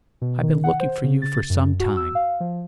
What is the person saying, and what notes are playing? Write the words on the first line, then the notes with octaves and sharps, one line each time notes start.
I've been looking for you for some time.
B2
D#3
F#5
C5
C#3
A6
F#2
F#4
E6
F5
F3